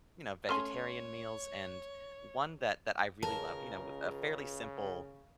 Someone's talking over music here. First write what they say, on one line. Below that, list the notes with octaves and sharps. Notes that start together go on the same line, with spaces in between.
you know, vegetarian meals and one that that I really loved, you know, with a fairly simple,
A3 C#4 C#5 G#5 C6 F6
C#2 C#3 A#4 A5